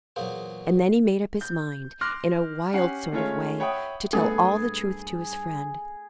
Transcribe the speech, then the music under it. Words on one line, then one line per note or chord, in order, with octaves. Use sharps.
And then he made up his mind, in a wild sort of way, to tell all the truth to his friend.
E2 A#2 F#3 A#3 G#4 C5
G6
C6 D6 F6 F#6 A#6
C#4 G4 F#5 C7
G#3 A3 C#4 F4 C#5
C#5 E5 F#5 G5 B5 D#6
G2 A3 B3 G#4